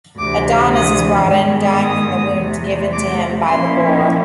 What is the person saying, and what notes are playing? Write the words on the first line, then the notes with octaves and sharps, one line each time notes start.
Adonis is brought in, dying from the wound given to him by the boar.
D2 C3 E3 D6
D#6
G#2 D#3 G#3 B3
D#6
E2 C3 E3 A3 C4
D6
A#2 F3 A#3 C#4 E4 C6